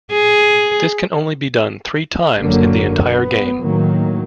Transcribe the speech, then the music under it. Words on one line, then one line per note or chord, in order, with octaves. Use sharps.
This can only be done three times in the entire game.
G#4
F#1 D3 F#3 A#3
B3
A2 D#3 F#3 A#3